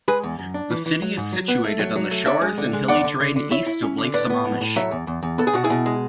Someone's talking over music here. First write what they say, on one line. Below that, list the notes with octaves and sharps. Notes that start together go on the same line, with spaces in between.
The city is situated on the shores and hilly terrain east of Lake Sammamish.
G#3 G#4 B4
E2
F#2
D4
E3
E3
F#3
G#2
F#3
B3
A3
F#3
F#3
A3
D4 C#5 E5
G#3
D3
G#3
E2 D5 F#5
D3
D3
D3
E4 C#5 E5
E4
C#4
D3
A2 B4 D5
B3
A2
A2
F#3 C#5 E5
E2
E2
E2
B3 A4
G#4
B2 F#4
E4 G#4
B2
G#3